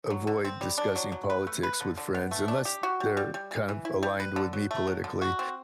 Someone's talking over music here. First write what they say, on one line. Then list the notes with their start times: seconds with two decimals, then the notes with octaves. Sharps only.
a avoid discussing politics with friends unless they're kind of aligned with me politically,
0.10 F#3
0.27 D3
0.45 C4
0.61 G3
0.78 D4
0.96 F#3
1.12 F#3
1.30 B4
1.47 A3
1.63 B4
1.81 D3
1.97 D3
2.15 B3
2.31 A3
2.48 D4
2.65 G4
2.83 F#4
3.00 G3
3.17 G3
3.34 G3
3.51 E3
3.69 E3
3.85 E4
4.03 G3
4.20 B4
4.36 D3
4.53 F#3
4.71 A3
4.87 F#3
5.04 D3
5.22 F#4
5.39 C4